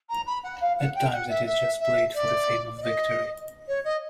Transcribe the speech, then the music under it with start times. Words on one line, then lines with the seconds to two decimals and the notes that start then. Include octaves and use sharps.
At times it is just played for the fame of victory.
0.09 A#5
0.27 B5
0.44 F#5
0.61 F5
0.78 F#5
0.95 G5
1.12 F#5
1.30 E5
1.46 E5
1.80 E5
2.14 D5
2.78 D5
2.82 D#5
3.68 C#5
3.85 D#5